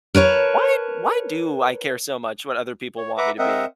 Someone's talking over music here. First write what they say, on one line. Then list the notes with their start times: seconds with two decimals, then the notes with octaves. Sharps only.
"Why why do I care so much what other people want me to be?"
0.15 A#4 B4 C#5 A5
2.97 C#5
3.18 B4 E5 F#5 A#5 D6
3.39 C4 A#4 D#5 E5 F#5